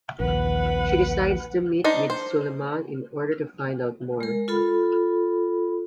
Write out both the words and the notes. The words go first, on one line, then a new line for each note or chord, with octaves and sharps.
She decides to meet with Suleiman in order to find out more.
A#1 D#2 B4 F#5
D4 D#4 C5
C5
G#3 A#4
F4 A4 B5